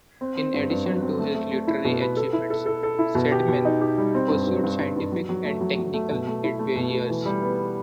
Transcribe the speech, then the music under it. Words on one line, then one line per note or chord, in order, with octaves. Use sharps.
In addition to his literary achievements, Stedman pursued scientific and technical endeavors.
C4
C4
G2
G2
F#3
C4
A3
A3
A3
E4
B2
B4
A4
E4
A4
A4
A4
E4
B2
G4
B2
D#4
G4
G3
C4
G2
G2
G2
G2
G2
F#3
F#3
A3
F#3
F#3
A3
B2
A3
E4
A3
B2
A3
E3
G3
B3